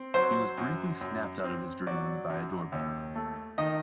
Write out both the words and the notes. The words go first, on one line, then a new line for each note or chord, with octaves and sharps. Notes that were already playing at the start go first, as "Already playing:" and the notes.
He was briefly snapped out of his dreaming by a door bell.
Already playing: C4
F#3 C5
F#2
F#2
C4
F#3 D5
F#2
D#2
A3
D#3 D#5